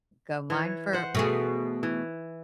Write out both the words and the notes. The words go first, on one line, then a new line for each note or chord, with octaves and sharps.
go mine for
E3 C#5
C5 F#5
B2 A3 G#4
E3